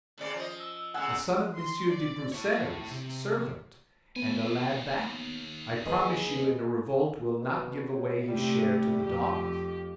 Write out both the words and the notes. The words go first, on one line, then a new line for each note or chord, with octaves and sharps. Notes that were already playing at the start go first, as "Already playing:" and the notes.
"A son of Monsieur de Broussel's servant, and a lad that, I promise you, in a revolt will not give away his share to the dogs."
A2 C#3 D5
F3 D#5
E6
A2 C#3 F#5 G#5 E6
C6
D5
E4 C#5
C3
D#2 B3 G#5
G#4 B4 D#5
B2
A2
C3 G3 A3
F2 G4